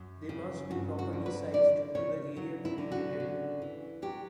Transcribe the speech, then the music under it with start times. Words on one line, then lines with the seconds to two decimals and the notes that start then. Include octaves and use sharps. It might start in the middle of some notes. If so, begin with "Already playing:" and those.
They must be properly sized to the area to be heated.
Already playing: F#2
0.29 C#3
0.71 G2 F#4
0.99 F#4
1.13 D3
1.26 B4
1.54 C#3 D5
1.95 C#3 C#5
2.37 F#3
2.65 E4
2.78 D3
2.92 F#4
3.20 C#3
3.62 E3
4.02 F#3 G4